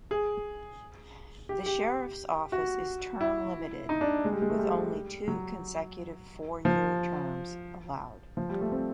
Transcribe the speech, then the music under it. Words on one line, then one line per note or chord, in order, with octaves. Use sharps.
The Sheriff's office is term limited with only two consecutive four year terms allowed.
G#4
G4
G4
F#4
E4
D#4
D4
G#3
G3
G#3
A3
G3
F#3
F3
F3
G3
A3
C4